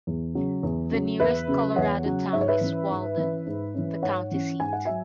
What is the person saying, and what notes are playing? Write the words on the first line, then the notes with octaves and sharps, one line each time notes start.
The nearest Colorado town is Walden, the county seat.
E2
C#3 F#3
E2
C#3 F#3
E2 B4 E5
C#3 F#3
E2 C#5 F#5
C#3 F#3
G#2 E5
C#5
B4 E5
E3 C#4
G#2
E3 C#4
G#2
E3 C#4
G#2 C#5 F#5
E3 C#4
G#2 G#5
F#5
F#3 E5 G#5